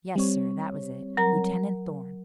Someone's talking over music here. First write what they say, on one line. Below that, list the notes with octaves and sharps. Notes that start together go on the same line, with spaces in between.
"Yes, sir, that was it--Lieutenant Thorn."
G3 C4 C#5
F#3 A#4 A#5